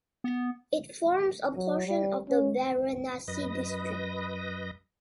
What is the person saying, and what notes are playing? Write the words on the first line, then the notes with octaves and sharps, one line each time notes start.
It forms a portion of the Varanasi district.
B3
F#3
G3
C#4
F#2 B4 D#5 A#6